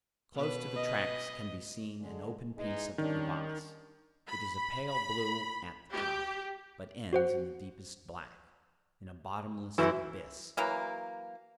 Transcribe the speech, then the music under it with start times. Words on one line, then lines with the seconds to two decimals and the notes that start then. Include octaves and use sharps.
Close to the tracks can be seen an open piece of the crevasse; it is a pale blue at the top, but ends in the deepest black -- in a bottomless abyss.
0.34 B2 B4
0.76 D#5
2.00 D3 G#3
2.57 E3 G#3 D#4
2.98 D#3 G3 C#4 D4
4.25 B5
4.88 B5
5.92 G4
7.13 F#4 C5 F#5
9.78 F#2 E3 E4
10.57 E3 F#3 A#3